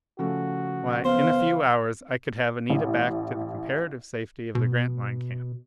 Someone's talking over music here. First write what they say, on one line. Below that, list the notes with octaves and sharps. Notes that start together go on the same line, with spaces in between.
Why, in a few hours I could have Anita back to the comparative safety of the Grantline camp.
C#3 F3 A3 F#4
B3 C5 F5
A1
B2